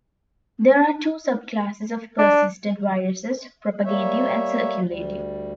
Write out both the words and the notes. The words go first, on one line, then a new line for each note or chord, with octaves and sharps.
There are two sub-classes of persistent viruses: propagative and circulative.
D4
G3 A#3 C#5 E5
D2 G3